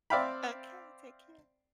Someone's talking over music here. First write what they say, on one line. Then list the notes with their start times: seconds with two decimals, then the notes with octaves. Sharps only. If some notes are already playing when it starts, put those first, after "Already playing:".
Okay, take care.
0.10 C4 D5 E5 F5 G5 B5